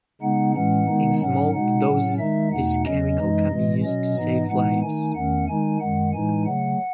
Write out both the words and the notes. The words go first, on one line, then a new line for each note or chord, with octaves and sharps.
In small doses this chemical can be used to save lives.
C#3 G#3 B3 D#4 F#5
A2 E3 G#3 C#4 F#5
D#3 G#3 B3 D#4
G#2 F#3 C#4 F#5
B2 G#3 D#4 F#5
A2 F#3 C#4
D#3 G#3 D#4 E5
E2 B2 A3 D#4 F#5
E2 C#3 F#3 C#4 D#5
F#2 E3 G#3 D#4
A2 E3 G#3
B2 F#3 C#4 D#5
G#2 E3 B3 D#4
A2 E3 G#3 B3 D#4 F#5
D#3 A3 D#4 G#5
E2 D#3 A3 C#4 F#5
D#3 G#3 D#4 G#5
F#2 D#3 G#3 F#5
A2 E3 G#3 D#4 G#5
C#3 F#3 A3 F#5